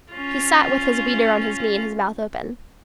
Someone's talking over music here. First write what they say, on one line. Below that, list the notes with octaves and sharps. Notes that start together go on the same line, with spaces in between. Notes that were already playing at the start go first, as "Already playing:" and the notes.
He sat with his weeder on his knee and his mouth open.
C#4 F4